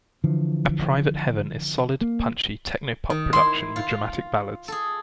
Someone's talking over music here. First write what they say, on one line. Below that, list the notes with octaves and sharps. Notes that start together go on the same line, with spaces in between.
A Private Heaven is solid, punchy, techno-pop production with dramatic ballads.
D3 E3 F3
A#3
D#3
E4 C6
F4
G#4 A4